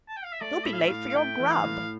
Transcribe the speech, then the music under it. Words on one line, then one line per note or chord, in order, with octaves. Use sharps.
You'll be late for your grub!'
A5
G5
F5
E5
A3 D5
A2 E5
F5
E5
A2 F5
F5
A3 G5
E3
F5
A2